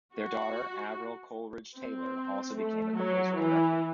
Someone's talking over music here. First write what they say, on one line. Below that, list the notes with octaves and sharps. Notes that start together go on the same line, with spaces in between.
Their daughter Avril Coleridge-Taylor also became a composer-conductor.
F#4
C4
A3
F#3
E3